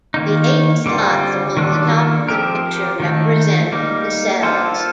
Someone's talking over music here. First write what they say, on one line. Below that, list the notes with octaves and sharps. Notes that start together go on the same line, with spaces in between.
The eight slots along the top of the picture represent the cells.
D#3 A#3 D#4
D3 G3 C4 F4
D#3 A#3 D4 F4 A4
F3 C4 G4 A#4
D#3 A3 D#4
G3 A#3 D#4
A#3 F4 A4 C5